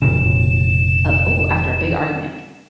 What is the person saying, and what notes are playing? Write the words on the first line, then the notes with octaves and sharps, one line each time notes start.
a b oh, after a big argument?
F1 A#2 C#3 E7